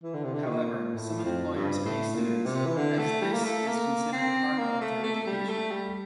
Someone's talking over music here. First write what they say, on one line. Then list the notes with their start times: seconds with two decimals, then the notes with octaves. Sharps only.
However, some employers pay students, as this is considered part of their education.
0.03 E3
0.14 D3
0.24 C3
0.34 D3
0.44 C3
0.49 A#2
0.95 A2
1.24 F2
1.55 G2
1.85 A2
2.15 A#2
2.46 C3
2.65 E3
2.76 D3
2.99 A3
3.21 G3
3.33 A#3
3.44 A3
3.67 A#3
4.12 C4
4.58 A#3
4.80 A3
5.03 A3
5.15 A3
5.26 G3
5.49 A3
5.71 G3